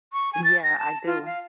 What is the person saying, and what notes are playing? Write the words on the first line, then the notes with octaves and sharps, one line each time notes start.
Yeah, I do.
C#6
G#5
A6
A#6
A5
F4
F5